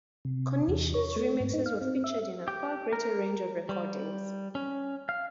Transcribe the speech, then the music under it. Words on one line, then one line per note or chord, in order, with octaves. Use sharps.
Konishi's remixes are featured in a far greater range of recordings.
C3
E2
C#5
A3
G#2
D#4
F5
C4
E5
G4
A#4
G3
C#4
F5